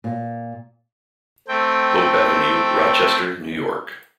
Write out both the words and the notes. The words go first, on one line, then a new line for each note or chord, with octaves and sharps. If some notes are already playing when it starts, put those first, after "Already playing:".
Hope Avenue, Rochester, New York.
A#2
A3 C4 G5